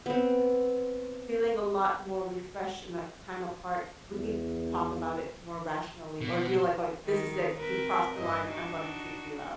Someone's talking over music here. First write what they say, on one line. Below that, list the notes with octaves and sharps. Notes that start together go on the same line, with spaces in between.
feeling a lot more refreshed in that time apart, we could talk about it more rationally." Or do you like going, "This is it. You've crossed the line. I'm gonna kick you out."
B3 C4
E2
B2
D#3 D#4
C4 A#4 B4
G2 E4 D#5
D4 D#4 F#4